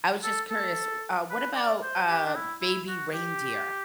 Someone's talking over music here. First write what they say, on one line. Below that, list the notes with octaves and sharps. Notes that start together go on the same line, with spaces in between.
I was just curious, w uh, what about, uh, Baby Reindeer? Have
A4
A4
B4
D5
C5
G4
D4
E4
E4
F#4
G4